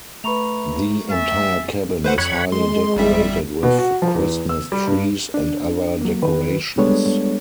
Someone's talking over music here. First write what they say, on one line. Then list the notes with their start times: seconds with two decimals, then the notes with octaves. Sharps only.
The entire cabin is highly decorated with Christmas trees and other decorations.
0.24 A3 B4 A#5 B5 C#6 F7
1.11 E5 G#5 A6
2.04 A3 B4 C5 F#5
2.18 F2 C#5 F#5 B5 G#6
2.52 G#3 C6
2.96 G1 G3 E5
3.63 B2
3.79 F#4
4.02 F3
4.15 E2
4.49 E6
4.72 G3
4.87 G2
5.34 D4
6.01 F#3 A#3
6.23 D#3 B4
6.78 G3 G#3 B3 D4 A4 C#5